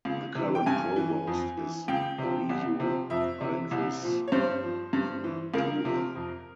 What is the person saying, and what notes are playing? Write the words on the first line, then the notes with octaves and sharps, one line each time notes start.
The current Provost is Aliyu Idris Funtua.
C#2
C3 E3
G5
G2 G#5
E3
F2
E3
C#2 G5
C3 F3
C2
C3 F3
F2 E5
C3 E3
C2
A#2 F3
C#5
G2 C5
F3
G2
E3
C#2 A#4
C3 F3
F2